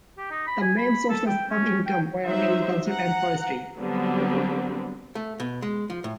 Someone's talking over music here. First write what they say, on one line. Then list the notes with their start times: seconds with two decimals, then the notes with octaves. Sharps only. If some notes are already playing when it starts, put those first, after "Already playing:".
The main sources of income were agriculture and forestry.
0.18 G4
0.31 D#4
0.47 B5
0.62 G#5
0.78 B5
1.10 A4
1.27 G5
1.50 C#4
1.86 G5
2.25 F#3 G3 D#4 C5 E5
2.87 F#5 A#5
3.79 D3 F#3 G3 B3 C4
5.15 A3
5.40 B2
5.62 G#3
5.90 F3
6.04 A2